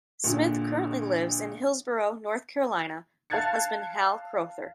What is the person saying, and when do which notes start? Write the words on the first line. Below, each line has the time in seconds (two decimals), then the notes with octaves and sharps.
Smith currently lives in Hillsborough, North Carolina with husband Hal Crowther.
0.24 A#1 A#2 D3
3.30 F5 A5 F#6 G#6 A6 C#7